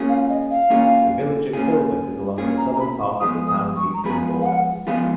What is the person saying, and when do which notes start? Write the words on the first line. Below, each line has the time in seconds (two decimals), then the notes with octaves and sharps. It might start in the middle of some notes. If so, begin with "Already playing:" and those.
The village of Hilbert is along the southern part of the town's eastern border.
Already playing: A#3 C#4 F4 G#4
0.09 F5
0.30 D#5
0.50 F5
0.70 A#3 C#4 F4 G#4
1.53 A#3 C#4 F4 G#4
2.38 A#3 C#4 F4 G#4
2.58 A#5
2.75 A#5
2.79 B5
3.00 C#6
3.20 F3 G#3 B3 F4 G#4 D#6
3.48 D#6
3.76 C#6
3.94 A#5
4.04 F3 G#3 B3 F4 G#4 B5
4.41 F5
4.46 F#5
4.87 F3 G#3 B3 F4 G#4 F5